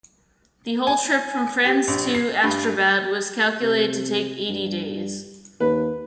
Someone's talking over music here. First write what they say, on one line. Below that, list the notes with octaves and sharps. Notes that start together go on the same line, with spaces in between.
The whole trip from France to Astrabad was calculated to take eighty days.
G#5
G4
A#1
C7
G2
C3
G2
D#2 B4